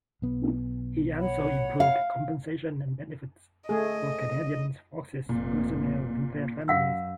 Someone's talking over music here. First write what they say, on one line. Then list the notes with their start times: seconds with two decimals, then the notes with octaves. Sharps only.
He also improved compensation and benefits for Canadian Forces personnel and their families.
0.22 B1 B3
1.18 C#5 F#5 B5
1.80 F5
3.69 A3 G#4 D#5
5.29 F1 A#2
6.68 F#2 F5 F#5 E6